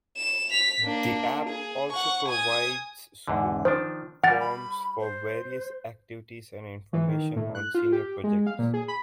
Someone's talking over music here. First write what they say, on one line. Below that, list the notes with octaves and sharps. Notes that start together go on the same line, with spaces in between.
The app also provides school forms for various activities and information on senior projects.
E7
B6 F7
A#3 D4
G#4
F#5 C#6
G#5 D#6
E2 G#2 D3
D#3 F3 D4 C5
G3 A#4 F#5 G#5 A6
B5
C5
E3
D#3
A2
F#6
F4
G4
G#3
F5
A#2
G#4
B5